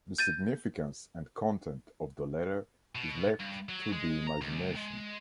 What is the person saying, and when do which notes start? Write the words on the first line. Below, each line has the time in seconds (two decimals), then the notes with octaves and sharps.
The significance and content of the letter is left to the imagination.
0.18 G6 A6 D#7
2.95 B2
3.40 G2
3.69 F#3
3.92 G#3
4.27 A#5
4.41 C#2
4.76 G#3